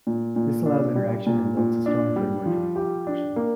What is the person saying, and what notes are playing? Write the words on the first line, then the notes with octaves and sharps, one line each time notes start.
This allows interaction and builds a strong framework for the plot progression.
A#2
A#2
D4
G3
A#2
A#2
D4
G3
F3
G4
D4
A#3